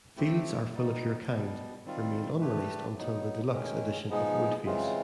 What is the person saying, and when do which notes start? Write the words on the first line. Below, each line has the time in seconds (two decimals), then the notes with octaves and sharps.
"Fields are Full of Your Kind" remained unreleased until the deluxe edition of "Woodface".
0.17 A3 C4 E4 G4
0.72 G3 B3 D#4
1.28 B2 G3 B3
1.85 D#3 G3 C4 F4
2.40 A3 D4 G4 B4
2.97 F#3 B3 D#4
3.53 D#3 G#3 C#4
4.09 F3 G#3 B3 D#4 G#4
4.65 C#3 E3 G#3 C4 F4